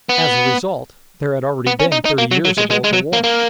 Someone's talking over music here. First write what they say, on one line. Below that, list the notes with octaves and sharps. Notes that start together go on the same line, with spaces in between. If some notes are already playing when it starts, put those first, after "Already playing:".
As a result there had already been thirty years of local war.
B3
B3
C#4
D#4
D#4
A#3
F#3
F#3
G#3
G#3
G#3
F#3
A#3
A#3